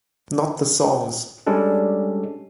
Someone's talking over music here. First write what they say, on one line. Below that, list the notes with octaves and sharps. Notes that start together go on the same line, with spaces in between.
Not the songs.
G3 G#3 C#4 D4 A4